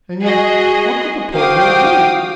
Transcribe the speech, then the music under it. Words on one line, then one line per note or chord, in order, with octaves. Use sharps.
And yet, what could the poor girl do?
F#4 G#4 D#5
F#4 C5 F5 G5 D6 D#6